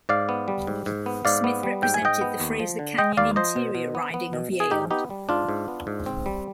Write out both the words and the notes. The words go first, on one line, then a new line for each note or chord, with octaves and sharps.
Smith represented the Fraser Canyon-Interior riding of Yale.
G#2 D5 F5
B3
G3
G#2
G#2
B3
G#2 D5 F5
B3
G3
G#2 G5
G#5
G#2 D#5 G5
B3
D#2
F3
D3
G#3 D#5 G5
D#2 D5 F5
F3 C5 D#5
B2
B2
B3
B3
B2
B2
G#4
G#2 D#4 G4
B3 D#4 G4
G3
G#2 D4 F4
G#2
B3
G#2
C4
G3